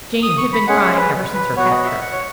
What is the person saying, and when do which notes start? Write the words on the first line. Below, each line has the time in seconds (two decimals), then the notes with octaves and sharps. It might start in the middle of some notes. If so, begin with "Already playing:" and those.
Jane had been crying ever since her capture.
0.23 D#6
0.38 C#6
0.53 B5
0.67 G#3 C#4 G#4 F#5
0.82 E5
0.97 B4
1.34 B4
1.56 B3 F#4 C#5
1.71 D#5
1.86 E5
2.01 F#5
2.12 C#5